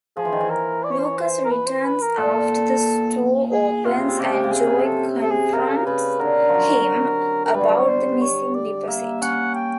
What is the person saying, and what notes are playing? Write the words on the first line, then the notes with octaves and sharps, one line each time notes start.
Lucas returns after the store opens and Joe confronts him about the missing deposit.
F3 G#4
E3
D#3
E3
A#4
D5
C#5
C5
C#5
C5
A#4
B4
C5
B4
A#4
A#2 A4
G#4
C3 F4
C#3
C3
C#3 G4
C3
C#3
C3 G#4
C#3
C3
A4
A4
G#4
C#3 A#4
A4
A#4
C#3 B4
D3 A#4
F3 F#3
A#4
G3 B4
F#3
G3
C#5
C5
C#5
D5
A#3 E5
C#4 F#5
G5